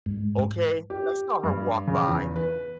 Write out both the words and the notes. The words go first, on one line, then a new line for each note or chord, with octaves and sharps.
okay, that's not her walk by
G#2
G4
G2
C#3
E2
B4